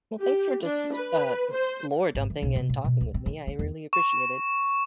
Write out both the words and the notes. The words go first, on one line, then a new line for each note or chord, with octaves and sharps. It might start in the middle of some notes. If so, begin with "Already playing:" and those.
Well, thanks for just, uh, n lore dumping and talking with me, I really appreciate it.
G4
D4
B4
C5
G#1
E3
B1
C3
A2
B2
D2
C4
D#3
C#4
E2
C#6